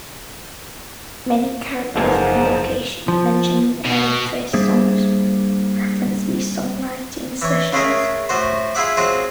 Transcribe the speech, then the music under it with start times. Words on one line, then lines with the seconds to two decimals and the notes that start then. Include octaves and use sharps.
Many characters and locations mentioned in early Phish songs reference these songwriting sessions.
1.96 F#1 C2 G#2 F3 G#3 A#3 A4
3.08 F3
3.85 B2
4.53 G3 A#3 D4 G#4 C5 E5
7.42 E3 C#5
7.73 C#3 G#3 A3 E4 G#4 A#4
8.29 A2 F#4 C5
8.75 E4 F4 G#4 E5 F#5 D6
8.97 F#3 G#3 C4 F4 F#5